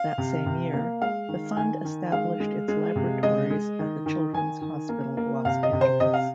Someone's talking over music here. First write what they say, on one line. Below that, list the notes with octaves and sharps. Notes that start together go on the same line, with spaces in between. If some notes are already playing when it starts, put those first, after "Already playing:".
That same year, the fund established its laboratories at the Children's Hospital Los Angeles.
Already playing: F5
C3
C3
A#3
G#3 F5
D#3
D#3 G#5
D#3
G#3 F5
G#3
G#3
C3
G#3 D#5
G#3
D#3
D#3
D#3 G#5
D#3
A#3
A#3
C3 F5
D#5
C3
C5
C3 D#5
F5